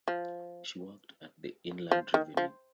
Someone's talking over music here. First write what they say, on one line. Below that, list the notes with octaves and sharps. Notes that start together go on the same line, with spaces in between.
She worked at the Inland Revenue.
F3
F3
D#3
F3